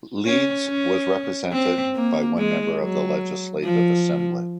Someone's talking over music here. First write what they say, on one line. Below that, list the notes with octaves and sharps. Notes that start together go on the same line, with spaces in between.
Leeds was represented by one member in the Legislative Assembly.
C#4
C#4
C4
A#3
G#3
F#3
F3